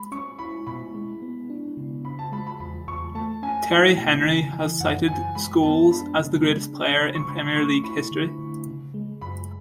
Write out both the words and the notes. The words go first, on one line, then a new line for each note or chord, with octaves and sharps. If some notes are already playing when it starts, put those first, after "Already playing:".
Thierry Henry has cited Scholes as the greatest player in Premier League history.
Already playing: G#3 B5
C#4 C#6
E4 B5
B2 B5
G#3
B3
D4
C#3
C#3 B5
A5
G#3 B5
B5
E2 B5
E2 C#6
A3 A5
C#4 G#5
E4
B2
C#3
E3
F#2 F#5
F#2 G#5
G#3 B5
B3 A5
D4 B5
C#3
G#3
D4
C#3 B5
C#6
C#3 B5
A3 C#6
E4 B5
D3
D3
C#3
G#3
F#2 B5